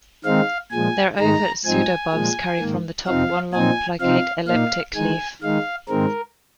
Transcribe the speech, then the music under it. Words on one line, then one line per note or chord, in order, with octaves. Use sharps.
Their ovate pseudobulbs carry from the top one long, plicate, elliptic leaf.
D#3 G#3 C4 D#4 F5
A#2 F3 G#3 G#5
G#2 D#3 G#3 D#4 A#5
G#2 F3 C4 D#4 G#5
A#2 F3 G#3
G#2 D#3 A#3
F2 C3 F3 C4 D#4 F5
A#2 F3 C4 D#4 G#5
C3 F3 C4 D#4 F5
A#2 A#3 D#4 F5
D#3 G#3 D#4 G#5
D#3 G#3 D#4 F5
G#2 D#3 G#3 C4 A#4